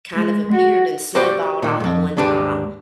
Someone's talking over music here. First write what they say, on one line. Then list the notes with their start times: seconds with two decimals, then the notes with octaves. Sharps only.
kind of appeared and snowballed all at one time,
0.15 G#3
0.52 F#4
1.15 F#4 G4 B4 C5 D5
1.62 A#2 D#3
1.80 F2 G#2
2.17 D#2 G#2 D4 G4 B4